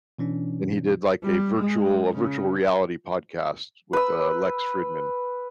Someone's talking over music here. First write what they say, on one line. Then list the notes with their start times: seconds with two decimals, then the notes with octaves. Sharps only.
and he did, like, a virtual a virtual reality podcast with, uh, Lex Fridman.
0.18 B2 E3 C#4 D4
1.23 G3
1.57 G#3
2.12 C#3
3.93 B4 E6